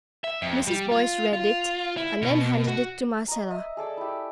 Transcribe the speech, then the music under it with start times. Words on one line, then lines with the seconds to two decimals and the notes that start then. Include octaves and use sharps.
Mrs. Boyce read it, and then handed it to Marcella.
0.24 E5
0.42 F2
0.68 G3
0.92 F4
1.33 F4
1.97 E4
2.22 B2
2.68 F#4
3.28 D#5 A#5
3.51 D#5 E5
3.77 G#4 A4 D5 E6
3.97 E4 G4